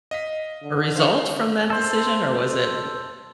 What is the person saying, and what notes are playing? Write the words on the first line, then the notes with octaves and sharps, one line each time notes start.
result from that decision or was it
D#5 F5 B6
D3
C5 F5 C#6
A4 C5